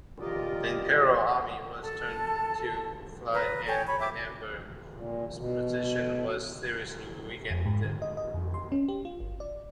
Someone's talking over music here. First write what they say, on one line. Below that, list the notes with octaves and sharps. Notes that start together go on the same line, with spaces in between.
The imperial army was turned to flight and the Emperor's position was seriously weakened.
F4 G4 A#4 D5 D#5
A4 A5
B4 A#5
A4 C#5 G5 G#5
C#5 B5
E5 G5 D6
A#2
B2
F2
G#2
D3
D#5
D#5
F2
C6
C#4
G4
F4
G1
D5